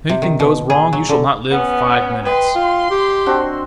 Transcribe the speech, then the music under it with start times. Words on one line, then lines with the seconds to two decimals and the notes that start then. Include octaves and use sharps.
If anything goes wrong you shall not live five minutes.
0.09 C3
0.22 D#3
0.40 B2
0.70 G#4
0.93 F#3
1.09 D3
1.51 B3 C#4
2.25 B4 D#5 G5 C6
2.55 F4
2.90 G4
3.26 C4 D4 F#4